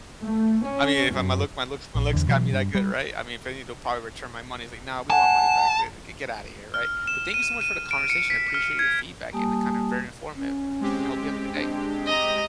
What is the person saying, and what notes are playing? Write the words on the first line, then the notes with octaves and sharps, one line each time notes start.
I mean, if I'm gonna look my looks my looks got me that good, right? I mean, if they need to probably return my money, it's like, "No, we want money back," li "Get get out of here", right?" But thank you so much for the conversation. I appreciate your feedback and the kind of very informative, and hope you have a good day.
A3
C#4
F#2
A#1
E2 D3
B2 E3 F#3
G2
G3
F#5 G#5 A5
F6
E7
D#7
D#7
D7
C#7
B6
F6
G#6
G3 A#3 G4 G#5 A5 D#6
C#4
G#3 C4 G4
D4
D#5 A#5